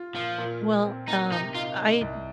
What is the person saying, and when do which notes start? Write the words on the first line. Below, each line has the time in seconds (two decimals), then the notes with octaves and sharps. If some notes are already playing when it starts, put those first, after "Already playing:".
Well, um, I
Already playing: F4
0.15 A#2 F3
0.38 A#2
0.62 A#2
0.85 C4
1.08 A#3 D#4
1.31 C3 D#4
1.54 D#4 F4
1.78 D#4
2.01 C2